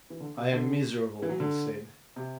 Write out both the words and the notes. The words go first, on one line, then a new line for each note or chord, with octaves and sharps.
"I am miserable," he said.
E3
D3
C3
D3
E3
F#3
D3
C3